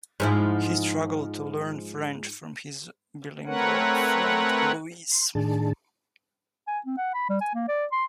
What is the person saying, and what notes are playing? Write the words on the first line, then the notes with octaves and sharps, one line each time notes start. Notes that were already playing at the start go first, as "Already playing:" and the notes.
He struggled to learn French from his bilingual friend Louis.
G#2 F3 E4
A3 C4 A#4 B4 C#5 F#5
C6
A2 D#3 D4 G#4 A5
G#5
C4
F#5
B5
G3
G#5
A#3
D5
C6